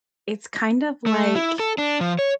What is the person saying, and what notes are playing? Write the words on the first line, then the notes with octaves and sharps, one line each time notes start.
It's kind of like,
A3
E4
A4
D4
F3
C#5